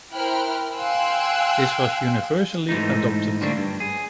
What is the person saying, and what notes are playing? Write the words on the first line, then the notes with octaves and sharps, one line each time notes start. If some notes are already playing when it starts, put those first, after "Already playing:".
This was universally adopted.
E4 A#4 C5 G5 F6 F#6
F5 G5 G#5 C6 E6 F#6
G#2 E3 A3 D#4
D3 F3 G3 A3 A#3 D4
G2
G#4